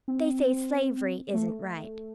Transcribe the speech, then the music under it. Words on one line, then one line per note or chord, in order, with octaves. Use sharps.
"They say slavery isn't right."
C4
A3